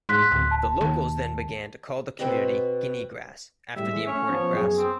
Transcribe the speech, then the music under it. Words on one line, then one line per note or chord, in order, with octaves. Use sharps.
The locals then began to call the community Guinea Grass after the imported grass.
G#2 C6 F#6 B6
D1
A5
D#2
B2 C4 B4 D#5
A2 G3 E5
E3 G#3
A3 C#4 C#5
F3 B3
F#2 B3 G#4
C4